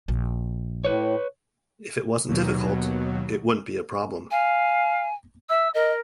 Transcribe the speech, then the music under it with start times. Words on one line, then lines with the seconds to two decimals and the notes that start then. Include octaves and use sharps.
If it wasn't difficult, it wouldn't be a problem.
0.08 A#1
0.84 A2 B4 C#5
2.28 D#2 B2 F#3
4.31 F5 G#5
5.49 E5 E6
5.74 A#4 D#5